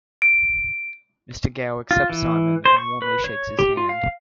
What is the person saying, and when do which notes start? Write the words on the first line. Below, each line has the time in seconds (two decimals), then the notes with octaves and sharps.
Mr. Gao accepts Simon and warmly shakes his hand.
0.22 D7
1.91 F4
2.10 E3
2.65 C5
2.78 C#6
3.02 B4
3.24 C#5
3.59 G4
3.77 F4
3.89 F5